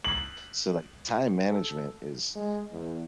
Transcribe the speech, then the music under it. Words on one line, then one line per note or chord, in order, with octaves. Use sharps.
So, like, time management is
F#7
A4
G#3
E2